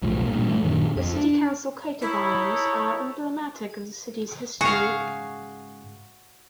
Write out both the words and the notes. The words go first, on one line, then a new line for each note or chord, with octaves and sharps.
The city council's coat of arms are emblematic of the city's history.
B1 E2 A2 F3
G2 A#2
E3 A3
F#2 A#2 D3 D#3
F2
D4
D#4 E4 A4 C#5
G#2 C#3 F#4 G#4 F5 C#6